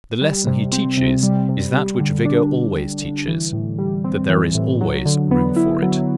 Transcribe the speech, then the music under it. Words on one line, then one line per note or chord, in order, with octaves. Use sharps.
The lesson he teaches is that which vigor always teaches--that there is always room for it.
G3
C3
C4
C3
G3
C3
G3
D3
D4
D3
G3
D3
E3
A2
G3
C4
E3
A2
F#3
D3
B3
E4
F#3